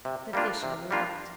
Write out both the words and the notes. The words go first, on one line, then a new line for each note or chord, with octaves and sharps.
The fisherman laughed.
C3
G3 A#3 D4 F4
C3
G3 A#3 D4 F4